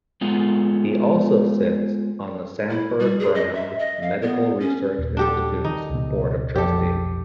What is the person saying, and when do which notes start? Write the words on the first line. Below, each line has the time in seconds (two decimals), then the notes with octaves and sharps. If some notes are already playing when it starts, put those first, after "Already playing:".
He also sits on the Sanford-Burnham Medical Research Institute's Board of Trustees.
0.21 G#3 A3 B3 F4
2.70 E4
3.00 G3
3.19 G#4
3.35 D#5
3.54 E5
3.79 D#5
4.02 F5
4.22 B3
4.60 C#4
4.99 D#1
5.17 D4 G4 A4
5.65 D#3 D#4
5.90 C#2 B2
6.56 F1 B1 F2 G4 A4